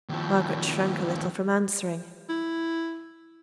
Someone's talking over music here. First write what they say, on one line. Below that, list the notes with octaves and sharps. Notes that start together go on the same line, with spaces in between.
Margaret shrank a little from answering.
D#2 F3
E4